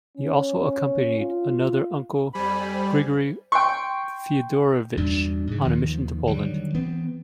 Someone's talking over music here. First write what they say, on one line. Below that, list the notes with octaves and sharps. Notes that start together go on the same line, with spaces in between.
He also accompanied another uncle Grigory Fyodorovich on a mission to Poland.
C#4
F4
F2 G3 C5 G#5 B5
G5 C6 C#6
E2 G2 B2 D4
G#2 C#3
D#2 D#3 F3
D3 D#3 F#3 G3
E3 B3 C4